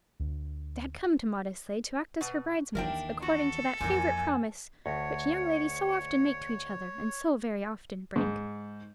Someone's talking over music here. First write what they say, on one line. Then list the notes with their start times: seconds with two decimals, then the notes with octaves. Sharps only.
They had come to Maudesley to act as her bridesmaids, according to that favourite promise which young ladies so often make to each other, and so very often break.
0.20 D2
2.21 B2
2.75 D#2 E3 D4 A#4 E5 G5
3.22 F#4 A4
3.81 F2 A#2 E3 A#4 G#5
4.86 D2 C#5 C#7
8.16 G#2